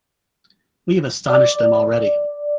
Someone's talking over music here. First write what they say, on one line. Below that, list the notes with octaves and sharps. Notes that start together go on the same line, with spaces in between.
We have astonished them already.
D5